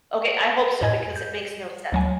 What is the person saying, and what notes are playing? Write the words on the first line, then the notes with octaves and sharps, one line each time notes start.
Okay. I hope so because it makes no sense.
F2 A2 D#5 G#5 G#6
G6
D2 F#3 G#5